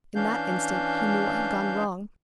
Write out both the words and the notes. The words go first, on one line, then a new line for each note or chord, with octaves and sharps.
In that instant, he knew what had gone wrong.
E3 C#4 D4 F5 G6